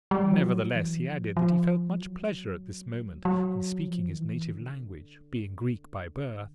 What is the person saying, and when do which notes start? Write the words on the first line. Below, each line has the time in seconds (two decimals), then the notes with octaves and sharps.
Nevertheless, he added that he felt much pleasure at this moment in speaking his native language, being Greek by birth.
0.11 G3
0.32 F3
0.42 F#3
0.74 E3
1.05 F3
1.37 F3
2.00 F#3
3.25 F#3
3.88 F3
4.09 D#3
4.20 E3
4.51 D3